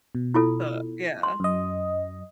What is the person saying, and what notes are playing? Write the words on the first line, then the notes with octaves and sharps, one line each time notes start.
But, yeah.
B2
E4 F4 A4
C6
F#2 D#5